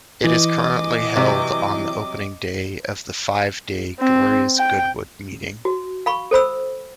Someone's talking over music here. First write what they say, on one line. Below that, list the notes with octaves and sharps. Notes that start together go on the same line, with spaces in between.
It is currently held on the opening day of the five-day Glorious Goodwood meeting.
E3 D#5 D6
C3 F#3 G3
C4
G5
F#4
F5 B5 C#6
A4 C5 B5 E6